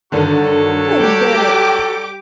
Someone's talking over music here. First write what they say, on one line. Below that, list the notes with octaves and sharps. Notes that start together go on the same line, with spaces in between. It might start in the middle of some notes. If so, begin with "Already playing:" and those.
Who Done It?
G2 D3 D#3 F#3 F#4 A4
G3 G4 D6